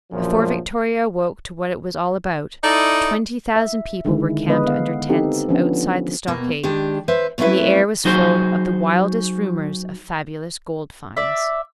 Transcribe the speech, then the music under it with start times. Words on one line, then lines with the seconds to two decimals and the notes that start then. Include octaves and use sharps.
Before Victoria awoke to what it was all about, twenty thousand people were camped under tents outside the stockade, and the air was full of the wildest rumours of fabulous gold finds.
0.12 A#1 F#2 F3
2.64 D#4 E4 A4 D5 D#5
3.56 E5
4.05 D3 D#3 G#3 E4
4.47 D3 G#3 B3 B4 D#5
4.67 B3 F5
5.09 C4 D#4 G4 A4
5.49 F3 B3 C#4 D4
6.27 D#2 B2 A#3
6.64 D#3 G#3 D4 G4
7.08 B4 C5 E5
7.38 F#3 A3 C4 C#4 E4 B4
8.05 F#3 D#4 F#4 G#4 C5
11.17 D5 E5